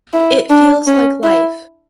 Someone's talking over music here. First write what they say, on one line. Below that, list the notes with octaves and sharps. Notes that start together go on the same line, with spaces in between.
It feels like life.
E4
D4
C#4
E4